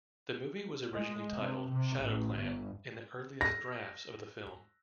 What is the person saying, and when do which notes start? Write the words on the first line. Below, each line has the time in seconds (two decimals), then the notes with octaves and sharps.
The movie was originally titled "Shadow Clan" in the earliest drafts of the film.
0.94 G#3
1.36 C3
1.70 C3
1.98 A1
2.38 G1
3.41 A#6